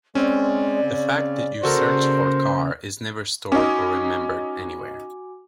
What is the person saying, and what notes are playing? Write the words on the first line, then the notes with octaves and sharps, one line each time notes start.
The fact that you searched for “car” is never stored or remembered anywhere.
G#3 C4 C#4 D5
C#3
C#3 A#3 F#4 A4 A#4 C5
C#4 D#4 F#4 G#5 D6